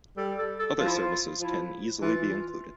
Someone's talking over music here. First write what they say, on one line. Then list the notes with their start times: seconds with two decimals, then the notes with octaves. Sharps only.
Other services can easily be included.
0.17 G3 A4
0.38 A4
0.59 A4
0.79 F3 F4
0.87 E4
0.96 F4
1.41 F3 E4
2.02 E3 F4